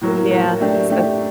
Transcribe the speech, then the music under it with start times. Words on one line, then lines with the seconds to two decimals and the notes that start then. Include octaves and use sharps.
Yeah, so
0.01 A2 F#3 A#3
0.31 A2 F#3 A#3
0.60 A3 D4 G4
0.90 A3 D4 G4